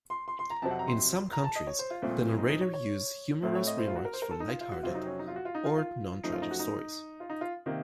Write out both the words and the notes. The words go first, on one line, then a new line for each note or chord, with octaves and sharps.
In some countries, the narrator used humorous remarks for light-hearted or non-tragic stories.
C6
C6
C6
A#5
F2 C3 F#3 C4 A5
F#5
A#5
C6
A#5
A5
D#5
C#5
C5
F4
C2 A#2 F3 A3 C4
D#4
D#4
C#5
C#5
A2 A3 C4 C5
C#5
D#5
C5
F4
F#4
A#4
C5
A#4
A4
D#4
F4
F4
F#4
F2 C3 F#3 C4 F4
D#4
C#4
D#4
F4
F#4
F4
D#4
F4
F4
F#2 F3 A3 D#4
F4
D#4
F#4
D#4
F4
D#4
F4
C3 D#3 A#3